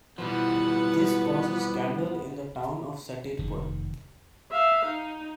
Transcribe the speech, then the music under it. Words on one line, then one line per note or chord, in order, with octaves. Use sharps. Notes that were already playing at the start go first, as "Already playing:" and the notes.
This causes scandal in the town of Satipur.
B2 E3 F3 G3 B3 B4 F#5
F1 D#3
E5 F5
D#4